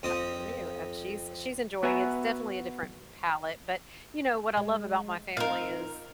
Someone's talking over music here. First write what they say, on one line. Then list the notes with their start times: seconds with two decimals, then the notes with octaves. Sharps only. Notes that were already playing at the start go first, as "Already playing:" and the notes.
Yeah. H who knew? Um, she's she's enjoying it. It's definitely a different palette, but, you know, what I love about my family is
0.03 F2 C4 D#6
1.83 B3 F#4 B4 E5 G#5 A#5
4.57 G#3
5.37 C4 D#4 F4 A#4 F5